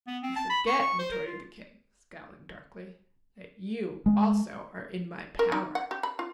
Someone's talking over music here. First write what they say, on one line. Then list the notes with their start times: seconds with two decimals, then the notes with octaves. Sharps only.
"You forget," retorted the King, scowling darkly, "that you also are in my power."
0.07 B3
0.23 C4
0.36 A5
0.50 B5
0.67 C#6
0.80 C#6
0.99 C5
1.11 A#4
1.26 F4
4.06 G#3
5.39 A#4
5.52 D#4
5.75 F#5
5.91 G4
6.03 B5
6.19 F4